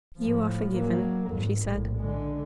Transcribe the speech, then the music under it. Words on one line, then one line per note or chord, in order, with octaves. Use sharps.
"You are forgiven," she said.
A2 F3
F#3 A#3
G#1 F2
A#1 A2
D3 G#3